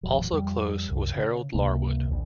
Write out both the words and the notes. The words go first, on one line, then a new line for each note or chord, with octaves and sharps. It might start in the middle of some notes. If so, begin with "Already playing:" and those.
Also close was Harold Larwood.
D#1 A1 F#3
F2 G3
C2 F#2
C#3
C#2 G2 C3 A#3
A#1 D#2